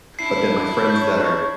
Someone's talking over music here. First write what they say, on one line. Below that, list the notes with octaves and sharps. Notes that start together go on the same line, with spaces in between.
But then my friends that are
D4 E4 C7
C#5 G6